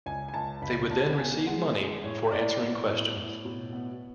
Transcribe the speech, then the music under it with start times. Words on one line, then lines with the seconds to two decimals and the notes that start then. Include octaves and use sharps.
They would then receive money for answering questions.
0.06 C#2 G#5
0.28 G#5
0.34 C#2 A5
0.62 C#2 B5
0.90 C#2 A5
1.18 B3 G#5
1.47 G#3 F#5
1.76 G#3
2.03 A2 C#5
2.32 A2 D5
2.61 B3
2.89 A2
3.17 A2
3.45 B2
3.73 B3